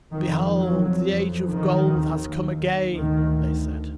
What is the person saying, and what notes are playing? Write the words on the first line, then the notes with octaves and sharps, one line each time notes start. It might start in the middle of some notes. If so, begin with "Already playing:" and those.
"Behold, the Age of Gold has come again," they said.
F2 D#3
F#3
F2
D#3
D#2
D2 D#3